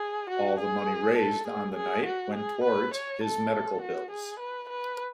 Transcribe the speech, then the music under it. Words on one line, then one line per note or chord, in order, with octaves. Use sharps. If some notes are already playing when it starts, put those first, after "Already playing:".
All the money raised on the night went towards his medical bills.
Already playing: G#4
F#4
G#4
A4
G#4
G#4
F#4
G#4
B4
C#5
A4
F#4
G#4
B4
B4